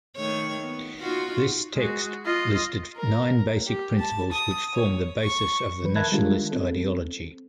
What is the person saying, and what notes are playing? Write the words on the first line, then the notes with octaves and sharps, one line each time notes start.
This text listed nine basic principles which formed the basis of the nationalist ideology.
D#3 A3 C#5
B3
D#4 F4 F#4
G#3 F#4
F4 D#5
A#4
G4
A5
D#6
C#5
C#6
D#3 E3 B4
A#4 E5 A5 B5 F#6 G#6
D#3 G3 G#3 D4 F4 A#4
C4 A4